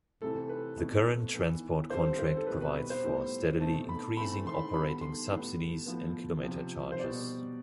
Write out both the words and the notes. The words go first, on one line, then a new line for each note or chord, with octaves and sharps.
The current transport contract provides for steadily increasing operating subsidies and kilometre charges.
C3 E3 A3 C4 A4
B4
B2 A3 C4
E3 B3
D3 G3 C4 C5
C5
A4
B2 G3 C4 B4
B4
B4
C5
A2 G3 B3
B2 A3 C4 A5
B5
E3 A3 C4 B5
C6
B5
D3 G3 B3 B5
C6
A2 G3 B3
A2 F3 B3
C3 F3 C4
C5
B2 G3 B3 D5